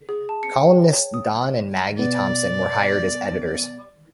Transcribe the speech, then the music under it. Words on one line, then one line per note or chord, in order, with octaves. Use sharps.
Columnists Don and Maggie Thompson were hired as editors.
G#4
A5
C#7
G5
C#5
D#6
B2 B3 D5